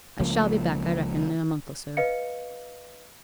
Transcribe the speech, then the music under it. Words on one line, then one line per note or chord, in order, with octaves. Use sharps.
I shall be back, I reckon, in a month or so.'
C#2 C#3 F3 A#3
B4 D#5 F5 C#7